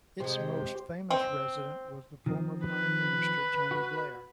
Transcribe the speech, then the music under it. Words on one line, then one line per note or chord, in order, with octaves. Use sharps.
Its most famous resident was the former Prime Minister, Tony Blair.
C3 G#3 G4 C5
C4
D#3 F3 C4
B4
F#4